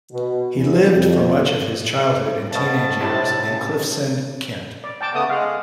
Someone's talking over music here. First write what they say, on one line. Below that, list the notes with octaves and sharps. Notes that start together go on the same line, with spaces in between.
He lived for much of his childhood and teenage years in Cliffsend, Kent.
B2
E2
F2
C#2 B2 A3 C5 A5
A2 C3 E4
C#3
D5
G5 A5 D6
C#3 A3 B3 A5 D#6
G#3 F5 F#5